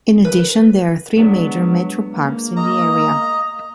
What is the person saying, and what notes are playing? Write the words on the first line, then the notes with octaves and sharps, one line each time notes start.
In addition, there are three major metro parks in the area.
B4
F#3 G#3 B3 D4
A#3
D#5 A#5